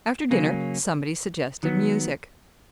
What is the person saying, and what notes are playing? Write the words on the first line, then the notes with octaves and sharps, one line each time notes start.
After dinner somebody suggested music.
C#3 F#3 A#3 C#4
D#3 F#3 B3